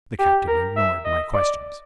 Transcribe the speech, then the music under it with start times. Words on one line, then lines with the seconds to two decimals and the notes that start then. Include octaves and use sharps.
The Captain ignored my questions.
0.19 G4
0.47 A#4
0.76 E5
1.04 D#5
1.34 D5